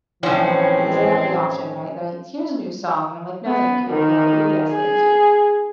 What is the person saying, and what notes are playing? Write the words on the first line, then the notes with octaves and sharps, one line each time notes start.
um, because I have the option, right? They're like, "Here's a new song," and I'm like, "No, thank you," or, "Ooh, yes. Thank you."
A2 E3 F3 C4 C#4
B3
D#3
G#4